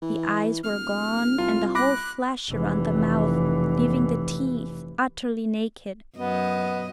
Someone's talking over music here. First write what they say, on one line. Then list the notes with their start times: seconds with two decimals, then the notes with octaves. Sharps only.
The eyes were gone, and the whole flesh around the mouth, leaving the teeth utterly naked.
0.02 E3
0.63 D1 F6
1.38 C2 F4
1.75 B5 D6 F#6 A#6
2.50 F1 E3
6.17 F#2 B3 D#5